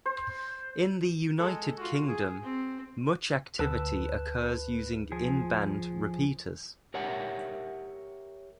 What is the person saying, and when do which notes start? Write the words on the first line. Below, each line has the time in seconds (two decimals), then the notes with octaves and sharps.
In the United Kingdom, much activity occurs using in-band repeaters.
0.06 C5
1.38 G#3 A4
1.77 F4 F#4
2.07 G#4
2.43 C4
3.59 D2 B4 A5 E6
5.12 F3 G#4
6.94 G4 A#4 C#5 E5 F#5